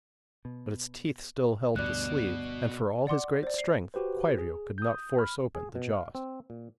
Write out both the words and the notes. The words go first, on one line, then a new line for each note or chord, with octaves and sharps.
But its teeth still held the sleeve; and, for all his great strength, Kwairyo could not force open the jaws.
B2
D2 G2 B2 D5 F#6
D5 F#5 C6 D6
C5 D5
C7
F#4 G4 B4 C5
G#4
D#6 G6
B5 F6
G#4
B2
F5
C4
A#2